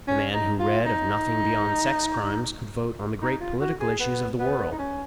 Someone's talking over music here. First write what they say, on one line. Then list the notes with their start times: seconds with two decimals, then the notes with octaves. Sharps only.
The man who read of nothing beyond sex crimes could vote on the great political issues of the world.
0.08 C#4
0.34 D#4
0.60 F4
0.86 D#4
3.22 D#4
3.41 F4
3.61 F#4
3.80 G#4
4.00 B3
4.39 B3
4.72 D#4
4.79 C#4